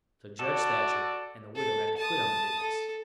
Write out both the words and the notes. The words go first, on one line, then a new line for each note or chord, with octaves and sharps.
So Judge Thatcher and the widow had to quit on the business.
F#4 A4 D5
A4
A5 D#6
A4